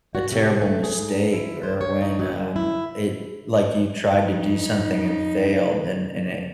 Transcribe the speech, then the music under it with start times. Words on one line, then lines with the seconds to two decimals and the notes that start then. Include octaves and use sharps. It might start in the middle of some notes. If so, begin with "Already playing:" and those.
a terrible mistake or when, um, it like, you tried to do something and failed, and and it
0.15 F#4
0.32 C3
0.61 A3
0.83 G#4
0.98 G#2
1.33 E4
1.63 C5
1.81 C#5
2.02 D#4
2.19 F#3
2.33 F#2
2.56 E4
4.11 F2 D#4